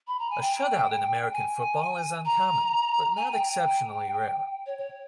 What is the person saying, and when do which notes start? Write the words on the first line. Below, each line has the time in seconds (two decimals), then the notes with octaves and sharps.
A shutout in American football is uncommon but not exceptionally rare.
0.07 B5
0.19 A#5
0.30 G#5
0.41 G5
1.32 G#5
2.25 A#5
3.16 G#5
3.32 G5
3.47 G5
4.66 C#5
4.78 C#5